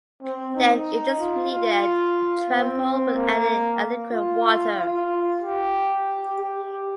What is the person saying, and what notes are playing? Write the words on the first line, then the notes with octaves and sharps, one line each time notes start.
Then it is kneaded and trample with adding adequate water.
C4
D#4
F4
F4
C4
A#3
F4
F4
G4
G4